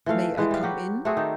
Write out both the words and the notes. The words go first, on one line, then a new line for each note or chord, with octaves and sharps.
"May I come in?"
E3 F3 A3 F5
E3 G3 G#3 B4
G3 F5
F#3 F#4 G4 B4
A3 C4 F#4 G#4
D#3 D#4 D5